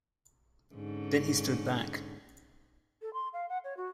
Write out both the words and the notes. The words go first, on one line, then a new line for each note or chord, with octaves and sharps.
Then he stood back.
G#2 D3 C#4
A4
C6
F5
F#5
C#5
F#4